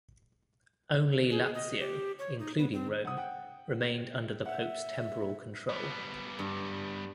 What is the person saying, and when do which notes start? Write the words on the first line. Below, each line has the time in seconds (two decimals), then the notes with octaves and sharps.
Only Lazio, including Rome, remained under the Pope's temporal control.
1.31 G#4
1.54 D#5
1.79 G4
2.19 C#5
2.39 D#4
2.58 B3
2.73 C4
3.05 F#5 D#6
3.17 F#5 G5
4.45 E5 F#5
5.69 G3 B3
6.39 G2